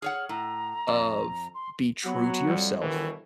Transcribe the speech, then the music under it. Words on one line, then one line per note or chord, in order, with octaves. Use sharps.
of, "Be true to yourself
G#4 C#5 F#5 F6
A2 A#5
F2
C6
F#3 B3 F#5
F2 G3
G1 B2 D#3 E3